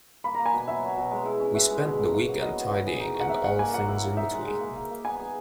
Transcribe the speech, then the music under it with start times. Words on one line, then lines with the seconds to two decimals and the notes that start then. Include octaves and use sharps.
We spent the weekend tidying and all things in-between.
0.24 A#3 B5
0.35 A#3 A#5
0.46 G#5
0.53 B2
0.68 F#3 E5
0.83 F#3
0.97 B2
1.11 G#3
1.25 E4
1.40 C#4
1.54 F#4 E5
1.70 G#3
1.85 B2
1.99 F#3
2.13 A#3
2.28 F#3
2.42 B3 D#5
2.56 B3
2.71 F#4
2.87 G#4
3.00 D#4
3.15 C#5 F#5
3.29 A#4 E5
3.44 A#4 F#5
3.59 A#3 G#5
3.74 F#3 F#5
3.88 E4
4.03 A#3
4.17 D#4 E5
4.32 G#3
4.47 G#3
4.60 A#3
4.75 A#3
4.90 A#3
5.04 B3 G#5
5.20 G#4